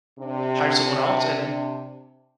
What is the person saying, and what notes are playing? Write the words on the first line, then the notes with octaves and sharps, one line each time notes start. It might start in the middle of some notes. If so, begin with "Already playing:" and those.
hire someone else, and
C3 D4